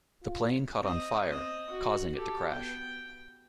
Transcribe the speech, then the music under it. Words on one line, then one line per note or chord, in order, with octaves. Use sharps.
The plane caught on fire, causing it to crash.
F4
C4 D#5
C4 D#5
F#4
G4 A4
B3 G5